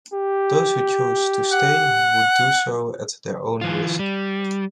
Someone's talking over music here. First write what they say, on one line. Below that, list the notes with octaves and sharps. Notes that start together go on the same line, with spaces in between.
Those who chose to stay would do so at their own risk.
G4
F#5
E3 F4
G3